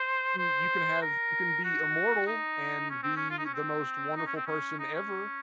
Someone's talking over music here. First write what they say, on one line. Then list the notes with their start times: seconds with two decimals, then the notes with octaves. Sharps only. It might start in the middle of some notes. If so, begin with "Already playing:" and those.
you can have you can be immortal and be the most wonderful person ever,
Already playing: C5
0.39 C5
1.02 A#4
1.64 F#4
2.27 D#4
2.90 C#4
3.03 C4
3.17 C#4
3.31 F4
3.38 D#4
3.45 C#4
3.53 C4
4.16 D#4
4.26 C#4
4.36 C4
4.46 C#4
4.79 D#4
4.94 C#4